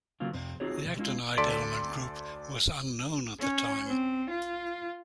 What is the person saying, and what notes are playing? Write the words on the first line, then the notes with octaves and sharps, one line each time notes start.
The actinide element group was unknown at the time.
C#3 F#3 A#3 C4 F4
F2 C3 C4
C4 D#4 F4 F#4 G#4 C#5
F#2 C3
F#3 G#3 A3 C#4 E4 F4
D2 A4 D5 C6 B6 D7
C#4
C4
F4